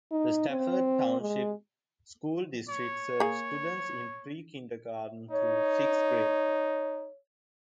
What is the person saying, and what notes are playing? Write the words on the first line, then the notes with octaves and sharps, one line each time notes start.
The Stafford Township School District serves students in pre-kindergarten through sixth grade.
D#4
C4
G#3
C#5
A#3 G#4
D#4 C#5